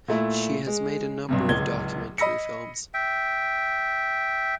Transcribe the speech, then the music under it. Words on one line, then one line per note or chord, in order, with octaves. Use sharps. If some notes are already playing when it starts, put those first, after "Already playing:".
She has made a number of documentary films.
A#2 A3 E4
G#3
B1 G2 C3
D1 C#2 G#6 G7
D#5 B5 E6 A#6 C#7
E5 G5